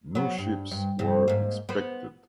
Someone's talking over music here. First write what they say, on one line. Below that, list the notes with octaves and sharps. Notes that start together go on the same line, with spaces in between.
New ships were expected.
F#3 B3
G2
G2
G2 C3
G#2 A#3
B3 C5